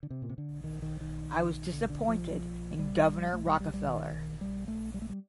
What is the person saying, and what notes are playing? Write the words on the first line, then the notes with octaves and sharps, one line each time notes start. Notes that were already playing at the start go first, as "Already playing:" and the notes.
I was disappointed in Governor Rockefeller.
D3
C3
A#2
C3
D3
D#3
D#3
D#3
D3
D3
F3
G3
A3
G3
G3
G3
D#3
G3
A3
G3
A3
G3